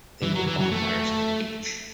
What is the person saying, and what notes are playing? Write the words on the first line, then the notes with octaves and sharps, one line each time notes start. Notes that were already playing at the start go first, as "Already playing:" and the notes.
They make bonfires on the beach.
E3
F#3
E3
F#3
A3